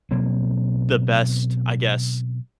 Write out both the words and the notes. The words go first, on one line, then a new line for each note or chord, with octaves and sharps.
the best, I guess,
B2 F#3 A#3 C4